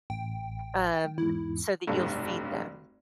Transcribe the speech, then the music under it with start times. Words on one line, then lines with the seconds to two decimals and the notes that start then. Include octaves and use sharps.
um, so that you'll feed them.
0.10 A1 G5
1.18 E2 G#2 E4
1.87 F1 B1 G2 A4